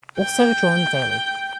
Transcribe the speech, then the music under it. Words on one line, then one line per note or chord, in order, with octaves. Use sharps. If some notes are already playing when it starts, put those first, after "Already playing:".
Also drawn daily.
G5